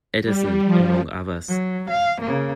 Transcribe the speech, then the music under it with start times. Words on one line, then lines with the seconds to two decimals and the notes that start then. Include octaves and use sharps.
Eddison, among others.
0.24 G3
0.65 F3
1.48 F#3
1.90 F5
2.22 C#3 A#3